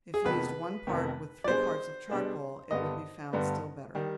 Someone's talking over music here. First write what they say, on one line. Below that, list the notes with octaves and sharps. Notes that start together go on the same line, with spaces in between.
If used one part with three parts of charcoal, it will be found still better.
G#4
F1 F2 C3 D#3 B3 B4
F1 F2 C3 D#3 B3
D5
B2 G3 D4 G#4 C5
B2 G3 D4 G#4
G2 D3 G3 B3 D#5
G2 D3 G3 B3
D#3 G3